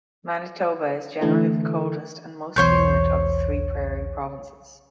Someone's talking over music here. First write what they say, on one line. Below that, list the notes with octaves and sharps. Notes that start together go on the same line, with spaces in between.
Manitoba is generally the coldest and most humid of the three prairie provinces.
D3 E3 A3 E4
B1 E2 C5 C#5 G6